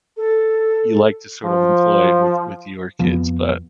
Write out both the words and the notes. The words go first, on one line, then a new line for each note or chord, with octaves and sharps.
you like to sort of employ with with your kids, but
A4
F3
F2 F3 B3